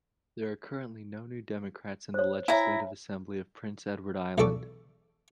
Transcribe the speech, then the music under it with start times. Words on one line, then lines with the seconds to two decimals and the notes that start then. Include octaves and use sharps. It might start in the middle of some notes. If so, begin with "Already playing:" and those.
There are currently no New Democrats in the Legislative Assembly of Prince Edward Island.
2.14 C5 C#5
2.48 E4 C#5 E5 G#5 A#5
4.38 B1 E2 D4 A4 C#6 D6